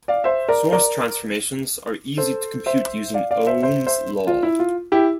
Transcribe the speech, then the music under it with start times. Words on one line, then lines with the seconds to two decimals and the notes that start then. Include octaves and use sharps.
Source transformations are easy to compute using Ohm's law.
0.08 D5 F5
0.24 C5 E5
0.49 A#4 D5
0.72 A#4 D5
2.17 A4 C5
2.66 C5 E5
3.14 D5 F5
3.31 D5 F5
3.47 C5 E5
3.62 C5 E5
3.87 C5 E5
4.27 F4
4.43 E4
4.59 F4
4.92 E4 G4